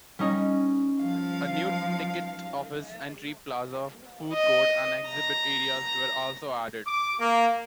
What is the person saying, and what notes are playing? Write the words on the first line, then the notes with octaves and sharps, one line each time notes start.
A new ticket office, entry plaza, food court and exhibit areas also were added.
G3 C#4 D#4
F3 F5
D#5
A#5
D6
A#3